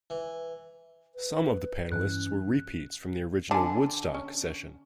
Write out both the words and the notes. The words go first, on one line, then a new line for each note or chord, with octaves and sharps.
Some of the panelists were repeats from the original "Woodstock" session.
E3
B4
G2 E3 C#4 F#6
D3 G#5 A5
C#4